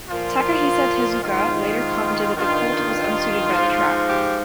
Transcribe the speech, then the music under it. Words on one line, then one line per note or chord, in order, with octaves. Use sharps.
Takahisa Tezuka later commented that the colt was unsuited by the track.
A#2 F3 F4
G#2 D#3 F4
G2 D#3 F4
G#2 F3
G4